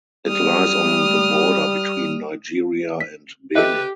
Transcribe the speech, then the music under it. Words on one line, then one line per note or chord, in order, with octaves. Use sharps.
It lies on the border between Nigeria and Benin.
G3 D#6 F6
B6
G4 A4 B4 D#5 E5